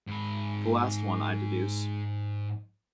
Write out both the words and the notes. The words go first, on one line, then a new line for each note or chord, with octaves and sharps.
The last one, I deduce.
G#2 B5